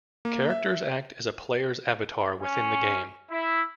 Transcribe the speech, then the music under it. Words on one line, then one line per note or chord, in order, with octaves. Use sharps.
Characters act as a player's avatar within the game.
A#3
E5
C#4
E4